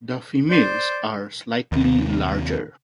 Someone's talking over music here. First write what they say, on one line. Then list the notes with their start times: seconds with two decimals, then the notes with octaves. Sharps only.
The females are slightly larger.
0.49 C5 D5
1.72 D#2 C3